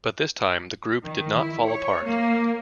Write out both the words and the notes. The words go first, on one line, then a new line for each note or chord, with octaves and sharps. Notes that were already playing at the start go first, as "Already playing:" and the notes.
But this time, the group did not fall apart.
D#3
E4
C#5
A#3